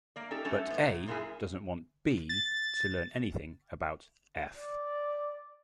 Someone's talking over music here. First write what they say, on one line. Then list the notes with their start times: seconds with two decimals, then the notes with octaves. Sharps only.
But "A" doesn't want "B" to learn anything about "f".
0.16 A#3 D5
0.31 C#4 D#4 G4 A4
0.44 F#3 G3 A3 C#4 A4
0.67 G#2 B3
0.88 A#2
1.07 F#2 A#2 A#3 E4 G#4
2.29 A6
4.55 D5